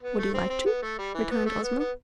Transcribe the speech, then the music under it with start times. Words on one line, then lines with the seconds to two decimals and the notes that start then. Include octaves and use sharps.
"Would you like to?" returned Ozma.
0.02 B3
0.19 A3
0.34 C4
0.50 C4
0.66 B3
0.82 A3
0.98 G3
1.14 E3
1.31 B3
1.46 A3
1.63 B3
1.79 B3